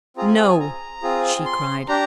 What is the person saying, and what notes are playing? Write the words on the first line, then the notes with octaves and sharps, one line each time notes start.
"No!" she cried.
C4 F4 G#4 A#5
G#5
G#5
G#5
A#5
C4 F4 G#4
C6
D4 G4 A#5